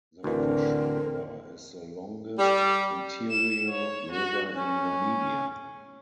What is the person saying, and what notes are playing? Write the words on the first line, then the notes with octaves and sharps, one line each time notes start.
The Fish River is the longest interior river in Namibia.
A1 D2 D3 E3 C4 A#4
G3
E7
C#5
F#4
C#4